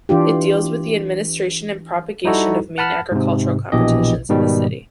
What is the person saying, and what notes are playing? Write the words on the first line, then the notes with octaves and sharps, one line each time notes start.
It deals with the administration and propagation of main architectural competitions in the city.
E3 D4 F4 G4
G3 D#4 E4 F#4 A4
F#5 A5 B5 F6
G#2 C3
A#1 B2 E3 G4 D#5
G#2 B2 D#3 G3